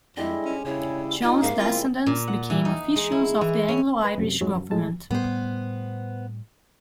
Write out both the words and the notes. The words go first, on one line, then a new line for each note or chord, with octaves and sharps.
John's descendants became officials of the Anglo-Irish government.
F2 D3 G3 G#3 E4 D#5
C#4
C#3 E4 C#5
D#4 F4
G#2 A#3 E5 F5
G#3 C4 E4 F4 B5
A#2
F#5
E3
D#4
G#3
E4
E3
C#4
B4
F#2 C3
F2 G#2 F#3 G#3
F#2
A2 G#3 A5
A2 G3 B3 C5